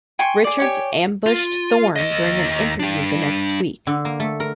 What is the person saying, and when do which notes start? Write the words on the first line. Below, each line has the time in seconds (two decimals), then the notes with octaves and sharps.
Richards ambushed Thorn during an interview the next week.
0.19 G5 G#5 C6 C#6
0.44 G#4 D5
0.58 G4 C#5 G#5
1.26 F4
1.96 D#2 D#5
2.80 D4 G4
3.87 D3
4.05 A#3
4.20 A3
4.40 A#4